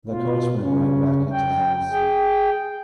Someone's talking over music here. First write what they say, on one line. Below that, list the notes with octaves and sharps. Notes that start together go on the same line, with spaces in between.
The coachman ran back into the house.
B2 F4
C#3 C#4
G5
G#4 G5